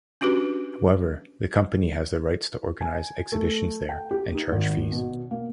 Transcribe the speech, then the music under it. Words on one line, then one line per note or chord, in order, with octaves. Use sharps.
However, the company has the right to organise exhibitions there, and charge fees.
C#4 D4 F#4 G4 B4
G#5
A3
G5
G4
D#4
G#1
B2
A#3